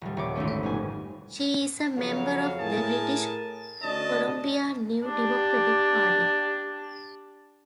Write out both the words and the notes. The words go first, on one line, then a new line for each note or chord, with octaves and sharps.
She is a member of the British Columbia New Democratic Party.
D#1 G3
D#1 C#5 D6
G#1 D3 A3 C#4
F2 B2 G4 G#5
F2 C#3 F#3 F5
A2 G#4 A#4 G#5 A5
D2 C#4 D4 D#5 A5
D4 G4